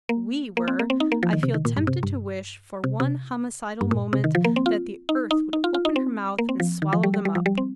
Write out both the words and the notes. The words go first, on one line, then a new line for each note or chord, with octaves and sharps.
WE were!' I feel tempted to wish, for one homicidal moment, that the earth would open her mouth and swallow them up.
A#3
A#3
C4
A#3
C4
D#4
A#3
F3
D#3
C3
D#3
A#2
G2
C3
G2
C3
C3
G2
A#2
C3
D#3
F3
A#3
C4
F4
D#4
D#4
D#4
F4
F4
D#4
C4
A#3
C4
F3
D#3
F3
G3
G3
G3
F3
G3
C4